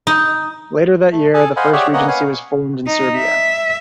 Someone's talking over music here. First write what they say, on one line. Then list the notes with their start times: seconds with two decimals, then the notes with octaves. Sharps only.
Later that year "The first regency" was formed in Serbia.
0.07 D#4
1.12 A3
1.34 G#4 A4 G#5 A5
1.56 C5 D#5 F5 F#5 G#5 B5
1.73 G4 G#4 C#5 D5 E5 F#5
1.93 A#3 B3 C#4 C#5 D#5 F#5
2.08 B4 C#5 F5 F#5 G#5
2.87 D#4
3.18 E5